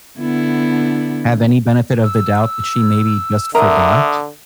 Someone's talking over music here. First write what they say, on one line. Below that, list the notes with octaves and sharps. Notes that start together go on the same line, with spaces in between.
have any benefit of the doubt that she maybe just forgot?
D3 B3 E4
E6
D3 A#4 E5 A#5 D#6